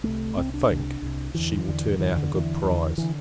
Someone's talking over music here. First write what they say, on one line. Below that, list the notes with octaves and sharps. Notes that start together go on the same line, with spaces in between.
I think, she will turn out a good prize.
C2 C3 A3
C2 C3 C4
D4
C2 C3
C2 C3
E2 D3 E3
E2 D3
E2 D3 E3
D3
E2 D3 E3
E2 D3
D3 E3